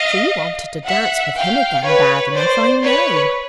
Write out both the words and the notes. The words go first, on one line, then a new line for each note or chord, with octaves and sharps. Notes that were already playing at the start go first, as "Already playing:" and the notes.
She wanted to dance with him again bad enough, I know.
Already playing: D#5 F5
E5 F#5
F5 G5
B4 C#5
C5 D5
B4 C#5